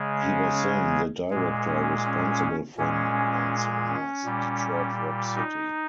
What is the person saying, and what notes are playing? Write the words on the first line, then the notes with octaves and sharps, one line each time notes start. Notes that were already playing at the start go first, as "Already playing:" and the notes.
He was then the director responsible for New Line Cinema's "Detroit Rock City".
Already playing: C#3 G#3
C#4
A#2 G#3
C#4
C#4
A#2 G#3 C#4
C#4
A#2 G3
D#4